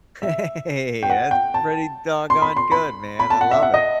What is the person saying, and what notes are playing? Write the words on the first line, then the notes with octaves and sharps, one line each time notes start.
Hey, that's pretty doggone good, man, I love it,
E5
G5
F#5
G5
A5
C6
B5
C6
B5
B5
A5
F#5
E5
F#5
D#5